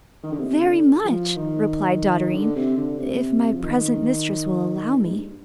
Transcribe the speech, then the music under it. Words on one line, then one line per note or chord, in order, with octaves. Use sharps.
'Very much,' replied Dotterine, 'if my present mistress will allow me.'
D#3
D3
C3
D3
F3
D#3
D3
C3
D3
C3
F3
D#3
A#2
G#2
G2